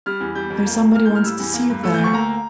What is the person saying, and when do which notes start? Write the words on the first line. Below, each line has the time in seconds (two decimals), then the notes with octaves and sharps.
There's somebody wants to see you there.
0.06 G3 F6
0.20 E2
0.35 G3 G6
0.50 F2
0.66 A#3
0.80 A#2
0.95 A#3 F6
1.05 G6
1.10 A2
1.15 F6
1.24 G3 E6
1.40 E2
1.54 A#3
1.70 G2
1.83 A3 E6
1.94 G6
1.98 D2
2.04 C#6
2.13 A#3 A#5